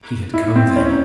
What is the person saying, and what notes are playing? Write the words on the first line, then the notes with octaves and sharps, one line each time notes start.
He had come then.
E4
C4
C#4